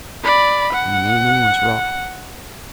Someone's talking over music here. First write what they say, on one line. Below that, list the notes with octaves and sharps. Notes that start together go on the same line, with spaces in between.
And Naaman was wroth....
D5 B5
F#5